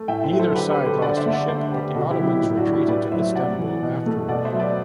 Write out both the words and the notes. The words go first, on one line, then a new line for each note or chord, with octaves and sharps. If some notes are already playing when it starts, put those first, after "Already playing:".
Neither side lost a ship, but the Ottomans retreated to Istanbul afterward.
Already playing: A3
A2 E5 G5
C5 E5
F#3
A4 C5
D3 G4 B4
G4 B4
G3
A4 C5
D3 D5 F#5
C5 E5
A3
D5 F#5
D3 C5 E5
G3 G4 B4
B2 F#4 A4
E4 G4
F#3
E4
A2 E4
D4 F#4
G3
E4 G4
A2 B4 D5
F#3 C5 E5
C3 D5 F#5
E3
B2
A3
B2 D5 F#5
C5 E5
F#3
B4 D5